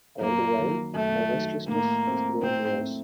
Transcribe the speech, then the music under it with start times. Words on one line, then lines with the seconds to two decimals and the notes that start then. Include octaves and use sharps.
All the while my restlessness was growing worse.
0.20 F#2 A#3
0.58 D#3 F#3
0.94 F#2 A3
1.32 D#3 F#3
1.68 A2 A#3
2.06 A3 C4
2.42 A2 C4
2.80 A3 C4